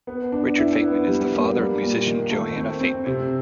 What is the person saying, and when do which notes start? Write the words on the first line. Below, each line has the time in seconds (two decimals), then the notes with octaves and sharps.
Richard Fateman is the father of musician Johanna Fateman.
0.07 B3
0.32 D4
0.58 E4
0.82 B3
1.07 G3
1.32 A#3
1.57 G3
1.81 A#2
2.07 D#3
2.31 A3
2.56 C4
2.81 C4
3.06 C3